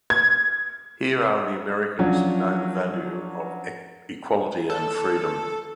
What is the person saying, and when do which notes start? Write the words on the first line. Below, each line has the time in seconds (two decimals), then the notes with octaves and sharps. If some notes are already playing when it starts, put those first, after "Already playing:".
Here are the Americans who know the value of equality and freedom.
0.10 G#6
1.99 F3 F#3 C#4 D4 F4 F#4
4.70 A4